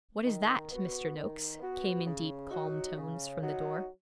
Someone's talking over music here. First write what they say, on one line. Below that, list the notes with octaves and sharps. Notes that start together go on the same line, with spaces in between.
'What is that, Mr. Noakes?' came in deep, calm tones from the door.
D#3
B3 F#4
D#3
B3 F#4
C#3
F#3 D#4 F#4
C#3
F#3 D#4 F#4